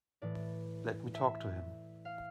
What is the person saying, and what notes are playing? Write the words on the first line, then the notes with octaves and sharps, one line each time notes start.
Let me talk to him.
A2 E3 D5
E5
F5